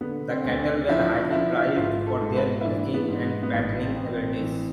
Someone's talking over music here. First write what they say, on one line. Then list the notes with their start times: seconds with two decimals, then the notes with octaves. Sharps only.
The cattle were highly prized for their milking and fattening abilities.
0.01 D3 B3
0.30 C4
0.44 D2
0.60 D4
0.88 F3 E4
1.10 D4
1.32 F3 E4
1.55 E4
1.76 G#1 F4
2.07 A4
2.20 G#2
2.36 B4
2.61 E4
2.65 E3 D4
2.94 B3
3.08 G#2
3.23 B3
3.43 B3
3.54 A1 B3
3.83 C4
3.97 A1
4.11 C4
4.41 E3